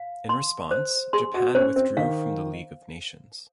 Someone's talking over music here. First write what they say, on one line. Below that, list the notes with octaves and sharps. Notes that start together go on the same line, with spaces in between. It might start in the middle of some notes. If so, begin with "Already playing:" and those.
In response Japan withdrew from the League of Nations.
Already playing: F5
C6
C5
G#4 C6
F#4
C#4 C5
C4
D#3 F5